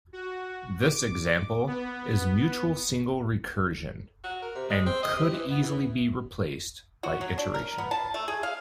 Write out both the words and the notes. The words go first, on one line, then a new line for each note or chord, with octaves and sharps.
This example is mutual single recursion, and could easily be replaced by iteration.
F#4
D6
B3
F#4
A#4
C3
G#3
C4
D#5
C3
E3
B3
E3
F#4
F#3
D4
A#4
B3
A5
A3
G#4
F5